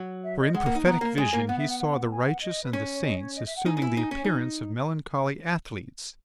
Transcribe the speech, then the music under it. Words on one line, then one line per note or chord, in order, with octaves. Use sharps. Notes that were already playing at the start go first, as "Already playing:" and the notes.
For in prophetic vision he saw the righteous and the saints assuming the appearance of melancholy athletes.
Already playing: F#3
E5
D#5
G#3 F#5
A#3
D#4
B3 A#5
A#3
G#3 G#5
A#3
B3 F#5
E5
F#5
F#5
G#5
F#5
D#5
B4
C#4 C#5
C#5
D#5
C#5
D#5
E5
F#5
D#4 G#5
D#4
E4
D#4
C#4
D#4